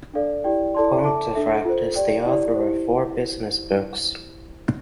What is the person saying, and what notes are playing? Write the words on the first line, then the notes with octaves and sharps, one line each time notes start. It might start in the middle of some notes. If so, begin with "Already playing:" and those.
Pontefract is the author of four business books.
D4 A4 D5 F5
E4 G4 D5 G5
E4 A4 D5 A5 C6
A4 E5 A5 D6
D4 A4 E5
F4 A4 C5
G4 D5 G5
E4 G4 D5
E4 G4 C5